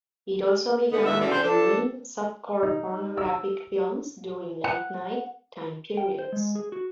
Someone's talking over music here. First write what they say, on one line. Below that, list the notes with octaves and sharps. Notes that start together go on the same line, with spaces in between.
It also began airing softcore pornographic films during late night time periods.
D3 B3 D#4
D#2 A2 B3 E5
E2 B2 D3 E3 C#4 D5
C#3 C4 D4 C5
F3 D4 A4
D#4
E6
F#5
G5
C5
G#3
G#4
F#4